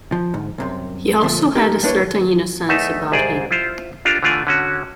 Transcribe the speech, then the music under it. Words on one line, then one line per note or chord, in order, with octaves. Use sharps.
He also had a certain innocence about him.
F3
D2 G#2
C2 F#2 C3
D2 A#2 F3 A3
A#3 D#4 G4 A#4
G3 A#3 D4 E4 B4 C#5
E2 A3 D#4 E5
C2 G#2 G#4 C5 D5
E4 F4 C5
D4 F4 G4 A4 A#4
D3 E3 A3 F4 D5 G#5
D3 C#4 F#4